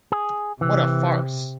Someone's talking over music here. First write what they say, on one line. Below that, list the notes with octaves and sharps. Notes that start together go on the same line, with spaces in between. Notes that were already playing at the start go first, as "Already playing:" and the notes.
What a farce!
G#4
C3 E3